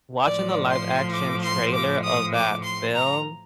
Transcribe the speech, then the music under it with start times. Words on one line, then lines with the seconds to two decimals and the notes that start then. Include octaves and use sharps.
watching the live-action trailer of that film
0.23 A2 F3 D5
0.68 C6
1.14 D6
1.43 C6
1.74 D6
2.03 D#6
2.34 D6
2.64 C6
2.93 A#5